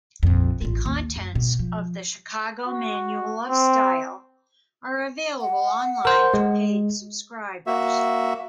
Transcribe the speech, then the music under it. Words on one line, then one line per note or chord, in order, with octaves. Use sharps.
The contents of "The Chicago Manual of Style" are available online to paid subscribers.
A#1 F2
A1 F4
D#2
F#2
B2
F3
F#4
C4
F#5
A#4 C5
G#3
A#3 F#4 E5